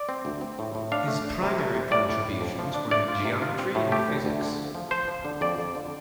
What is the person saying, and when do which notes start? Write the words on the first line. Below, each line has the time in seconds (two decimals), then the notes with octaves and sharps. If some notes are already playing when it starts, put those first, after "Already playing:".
His primary contributions were in geometry and physics.
Already playing: D5
0.09 C4
0.25 D2
0.41 C4
0.59 A2
0.75 A2
0.92 D4 F5
1.08 A3
1.25 D4
1.42 C3
1.58 A3
1.74 C3
1.91 A2 D5
2.09 A2
2.25 A2
2.41 F2
2.59 F3
2.74 D4
2.91 A3 D5
3.08 F4
3.25 C3
3.42 F4
3.59 C4
3.75 A2
3.92 A3 G4
4.08 D2
4.25 D2
4.42 D3
4.59 F3
4.75 F3
4.91 F3 C5
5.08 F3
5.25 D3
5.41 F2 D5
5.59 F2
5.75 D3